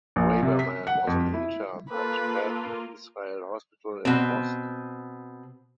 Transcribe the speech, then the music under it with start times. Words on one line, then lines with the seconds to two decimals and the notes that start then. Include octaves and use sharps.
Braverman was an intern at Beth Israel Hospital in Boston.
0.16 A#1
0.43 C3
0.59 B6
0.87 F#5
1.07 F2
1.34 E4
1.90 A#3 F4 A4 B4
4.05 B2 C4